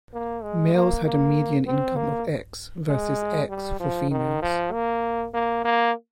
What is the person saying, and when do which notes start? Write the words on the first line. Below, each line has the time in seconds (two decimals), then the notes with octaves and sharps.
Males had a median income of X versus X for females.
0.13 A#3
0.43 G#3
0.74 A#3
1.04 A#3
1.66 C4
1.96 A#3
2.88 G#3
3.49 G3
3.80 F3
4.11 D#3
4.42 F3
4.72 A#3
5.34 A#3
5.64 A#3